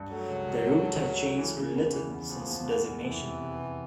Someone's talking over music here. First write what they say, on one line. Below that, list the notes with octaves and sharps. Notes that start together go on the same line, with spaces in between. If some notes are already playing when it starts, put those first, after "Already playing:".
The route has changed little since designation.
Already playing: G2
F#3 A3
C#2
C#2
A3
A3
C#2
A3
E3
C#3
E2
E3
E2
E2 F3
E2
E2
E2
F2 E3
C3
C3
C3